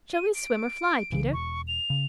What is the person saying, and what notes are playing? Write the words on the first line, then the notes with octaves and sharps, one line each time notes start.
"Shall we swim or fly, Peter?"
D#7
D7
C2 C#3 E3
E1 C#6
F7
C#3